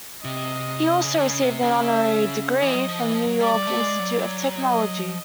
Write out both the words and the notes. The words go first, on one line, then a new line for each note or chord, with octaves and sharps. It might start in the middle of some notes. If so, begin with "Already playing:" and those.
He also received an honorary degree from New York Institute of Technology.
C3 D#5
C#3
D3
C#3
C3
C#3
E5
E3 D#5
F#3
F3
E3
F3
F#3
G3 D5
G3
A3
G#3
F#3
D#5
F3